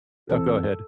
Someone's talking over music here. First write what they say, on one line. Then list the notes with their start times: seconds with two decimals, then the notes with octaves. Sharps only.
Oh, go ahead.
0.30 D2 E3 C4 A4